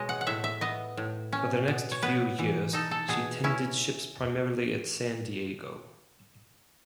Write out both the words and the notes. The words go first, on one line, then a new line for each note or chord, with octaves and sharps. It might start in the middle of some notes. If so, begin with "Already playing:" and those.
For the next few years, she tended ships primarily at San Diego.
Already playing: B2 G#3 C#5 D#5
F#5
F#5
A2 E5
E5
B3 D#5
A2
C#4
B2
C#5
B3 B4
E3
D#4 A4
A4
B2 G#4
C#4 E4